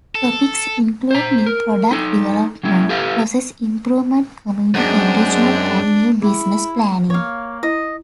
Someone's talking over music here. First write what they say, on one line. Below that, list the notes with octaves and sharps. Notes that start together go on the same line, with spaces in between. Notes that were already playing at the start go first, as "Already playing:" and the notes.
Topics include new product development, process improvement, community enrichment, and new business planning.
A4
C5 A#5
A#4
D#4 A4
F#3 C#4 E4
G4 A4 B4 F5
F#2 G#3 C4 D4
E4 G#4 G5
A#3 C#5 F5
E4 D#5